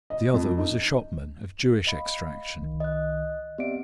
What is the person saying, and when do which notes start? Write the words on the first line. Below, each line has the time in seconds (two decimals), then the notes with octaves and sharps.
The other was a shopman of Jewish extraction.
0.10 D#5
0.34 F2
0.58 D#4
1.87 D#5 F5 B5
2.60 C2 D#3
2.80 D#5 F#6
3.58 B3 C4 G4 D5 E5 D7